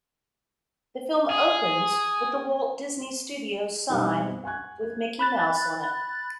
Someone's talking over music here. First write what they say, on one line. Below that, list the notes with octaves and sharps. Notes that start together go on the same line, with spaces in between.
The film opens with the Walt Disney Studios sign with Mickey Mouse on it.
G#4 D#6
B2 G3 B3 C4 D#4
F#5 G#5 C#6 F#6 G#6
A#3
B5 F#6 A6